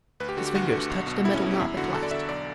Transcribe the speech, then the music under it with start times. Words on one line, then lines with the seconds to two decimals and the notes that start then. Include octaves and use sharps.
His fingers touched the metal knob at last.
0.20 D2 B4
0.29 G4
0.37 D3 F#4
0.47 G4
0.55 D2 F#4
0.72 D3
0.90 B1
1.07 B2
1.24 B1 E4
1.33 C#4
1.42 B2
1.51 G3
1.60 E2 E4
1.77 D3 F#4
1.95 E2 A4
2.03 D5
2.11 D3 E5
2.29 B1 D5